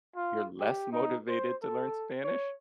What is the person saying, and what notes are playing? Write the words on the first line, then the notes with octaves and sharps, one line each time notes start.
you're less motivated to learn Spanish?
F4
G4
D#4
C5
A4
C#5